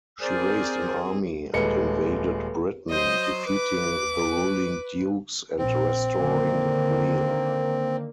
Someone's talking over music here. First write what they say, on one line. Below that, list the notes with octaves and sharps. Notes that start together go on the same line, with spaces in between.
She raised an army and invaded Britain, defeating the ruling dukes and restoring Leir.
C4 G#4 A#4 C5 D5
D#1 G#3 A4 B4 C#7
F#3 C5 D#5
B4 D6
A#1 C4
D3 D#3 A#3